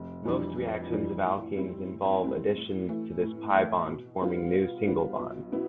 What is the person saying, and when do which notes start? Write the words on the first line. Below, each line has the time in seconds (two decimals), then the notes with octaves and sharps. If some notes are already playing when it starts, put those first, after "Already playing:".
Most reactions of alkenes involve additions to this pi bond, forming new single bonds.
Already playing: F1
0.25 F2 E3 G3 D4
0.57 F1
0.90 F2 E3 G3 D4
1.24 A2
1.56 G3 C4 E4
1.90 A2
2.22 G3 C4 E4
2.55 A2
2.89 E3 A3
3.22 A2
3.54 E3 A3
3.88 B2
4.21 G3 B3 D4 F4
4.54 B2
4.86 G3 B3 D4 F4
5.19 B1
5.52 B2 B3 E4